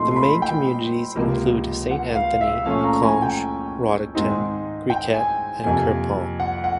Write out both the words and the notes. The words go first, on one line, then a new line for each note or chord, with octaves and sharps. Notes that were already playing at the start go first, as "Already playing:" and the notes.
The main communities include Saint Anthony, Conche, Roddickton, Griquet and Quirpon.
Already playing: A#2 F3 A3 C4 D#4 C6
C6
B5
G5
C#2 C3 F3 A#3
F#5
F5
E5
A#2 F3 A3 C#4 F5
A#5
G#5
G5
G#2 D#3 G#3 C4 D#4
G5
G#5
F2 C3 F3 A#3 G#5
F#5
F#5